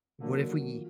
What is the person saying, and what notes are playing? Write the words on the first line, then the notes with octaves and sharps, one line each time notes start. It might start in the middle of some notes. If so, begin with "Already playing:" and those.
what if we
D3 D#3 F#3 A#3
F3